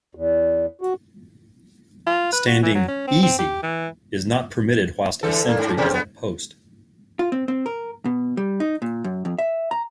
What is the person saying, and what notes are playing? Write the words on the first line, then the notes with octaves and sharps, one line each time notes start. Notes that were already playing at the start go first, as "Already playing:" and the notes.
Standing "easy" is not permitted whilst a sentry is at post.
E2
F#4
F4
B4
F#4
E3
F#3
C#4
C4
C4
G4
E3
D3 E3 A4
A#2 A#3
G#2
E2 C3 C4
B3 C4
F4
C4
C4
A#4
B2
G3
D#4
A#2
F#2
F2
E5
A#5